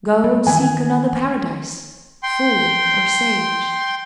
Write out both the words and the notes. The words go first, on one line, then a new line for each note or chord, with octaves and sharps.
Go and seek another paradise, fool or sage.
G3
D#3 E3 B3 G#5
G5 C6